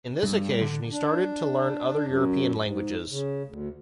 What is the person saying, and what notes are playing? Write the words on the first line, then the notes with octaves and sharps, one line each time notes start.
In this occasion he started to learn other European languages.
G2
G3
D3
D4
F#2
G#2
C#3
D2